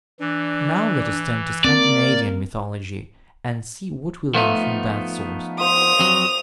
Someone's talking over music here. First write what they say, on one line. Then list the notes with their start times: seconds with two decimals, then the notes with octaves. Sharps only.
Now let us turn to Scandinavian mythology, and see what we learn from that source.
0.20 E3 D4
1.64 A#3 C4 A#4 D5
4.34 F3 A3 B3 D#4 F4
5.59 F4 C5 D#6 F7
5.99 F2 F#3